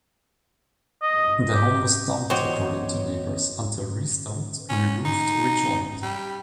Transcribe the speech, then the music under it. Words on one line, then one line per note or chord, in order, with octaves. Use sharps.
The home was "dumped" according to neighbours, until restumped, re roofed, rejoined.
D#5
G4
E2 F#4 G4 C5 C#5 D#5
C#4
D#4
G3